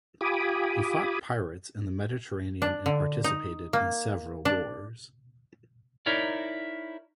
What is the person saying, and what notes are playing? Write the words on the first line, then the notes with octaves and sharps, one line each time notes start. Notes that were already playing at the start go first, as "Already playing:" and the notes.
He fought pirates in the Mediterranean and participated in several wars.
F4 G4 G#5 B5 D6 D#6
D4
D3
D#4
A#3
D4
D#4 E4 A#4 C#5 D5